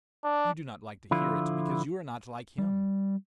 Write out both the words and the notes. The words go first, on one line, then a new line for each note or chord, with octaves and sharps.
You do not like to hear it because you are not like him.
D4
D3 F3 E4 F4
G3